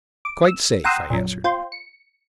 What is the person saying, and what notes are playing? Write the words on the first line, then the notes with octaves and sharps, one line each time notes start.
"Quite safe," I answered.
D6
E6
F#5 G5 A#5 C6 D#6 E6
A#1 F#2
F4 C5 G5
C#7